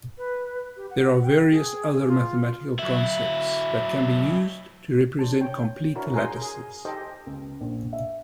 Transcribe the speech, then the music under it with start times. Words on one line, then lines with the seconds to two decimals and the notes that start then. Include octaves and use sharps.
There are various other mathematical concepts that can be used to represent complete lattices.
0.18 B4
0.77 G4
0.90 F#5
1.23 G5
1.51 G#4
2.07 F4
2.79 F#3 E4
5.19 D4 C5 A5
5.41 C#5 G5
5.95 D4 E4 F#4 A#4 C#5
6.15 G#4 A#4 G#5 A#5 C6
6.42 G#4
6.85 D#4 G4 A4 C5 D#5 G5
7.27 C#2
7.61 A#1
7.93 E5